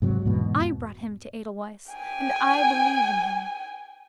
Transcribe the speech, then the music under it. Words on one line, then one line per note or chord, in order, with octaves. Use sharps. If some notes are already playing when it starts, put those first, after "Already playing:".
"I brought him to Edelweiss, and I believe in him."
G#2 C3 F#3
E2 G#2 B2
G5 G#5